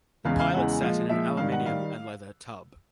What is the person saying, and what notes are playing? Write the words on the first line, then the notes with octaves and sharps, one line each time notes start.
The pilot sat in an aluminium-and-leather tub.
E2 C#3 E3 G#3 F5
F5
E2 C#3 E3 G#3 F#5
A#2 F3 G#3 F5
A#2 F3 G#3 E5
G#2 D#3 G3 F5
F#5
D#3 G3 F5